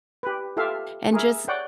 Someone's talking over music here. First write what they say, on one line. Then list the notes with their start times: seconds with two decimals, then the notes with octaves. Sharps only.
and just
0.23 G4 B4
0.57 F4 G4 A4 E5 F5
1.12 G#4 A#4 E5
1.48 C#5 D5 F#5 G5